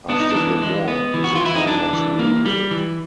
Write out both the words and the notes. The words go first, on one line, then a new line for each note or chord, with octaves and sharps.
After the war, the town was rebuilt.
B3 D4
D#4
E3 D4
G#3
B3
E3
F#4
F4
E3
E4
D#4
E3 D4
E3
A#3
G3
E3